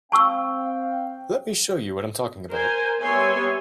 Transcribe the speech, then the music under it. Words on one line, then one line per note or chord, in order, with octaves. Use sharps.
Let me show you what I'm talking about.
C4 F5 G5 A5 C#6 E6
A#4 C5 G#5
G3 B3 C#5 E5 G#5 C6